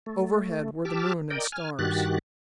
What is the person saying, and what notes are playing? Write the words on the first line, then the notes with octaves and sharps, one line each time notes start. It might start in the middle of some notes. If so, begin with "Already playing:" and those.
Overhead were the moon and stars.
A3
G4 A5 D6 E6 F6
A#4 D5 D#5 G5
G#5 F6
G2 D#3 F#4 G4 F#6 A6